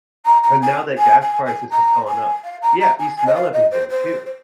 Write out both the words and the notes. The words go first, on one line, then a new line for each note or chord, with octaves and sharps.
and now that gas prices have gone up Yeah, you smell everything too.
A#5
A#5
G#5
G#5
G#5
G#5
A#5
G#5
F5
A#5
A#5
G#5
G#5
D#5
F5
D#5
C5
C5
C5